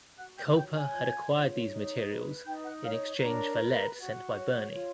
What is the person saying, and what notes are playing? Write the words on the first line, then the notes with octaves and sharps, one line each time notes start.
Culper had acquired these materials in exchange for lead sent by Birnie.
F#4 F#5 F#6
G5 G6
C#5 G5 G6
G#5 G#6
F4
C#5
D#4
B4
D#4 G5 G6
F#5 F#6
C#5 F5 F6
D4 A#4 A#5
B4
F#4
C#5
F4